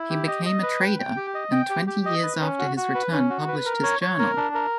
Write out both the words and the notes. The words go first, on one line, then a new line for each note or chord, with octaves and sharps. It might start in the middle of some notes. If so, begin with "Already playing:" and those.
He became a trader, and twenty years after his return published his journal.
Already playing: E4
G4
D#5
D#5
B4
G5
G5
G4
D#5
G5
G4
G4
D#5
B4
C#4
F#4
F#4
B4
C#4
F#4
B4
A#4
C#5
C#5
A#4
D4
A#4